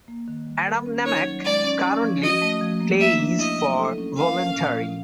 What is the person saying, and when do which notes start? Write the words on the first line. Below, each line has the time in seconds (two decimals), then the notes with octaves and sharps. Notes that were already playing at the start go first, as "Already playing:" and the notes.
Adam Nemec currently plays for Voluntari.
0.08 A#3
0.28 D#3
0.47 G3
0.67 A#4
0.86 C#4
1.05 D#4 C#5
1.25 F#3
1.44 G#3 D5
1.64 C#4
1.84 C#4
2.03 F3
2.22 F#4 D#5
2.42 A3
2.61 F3
2.81 A#3
3.00 A#3 E5
3.19 D4
3.39 E4 D#5
3.58 F#3
3.78 A4
3.98 C#4
4.17 A#4 F5
4.36 C#4
4.56 A#2
4.75 F3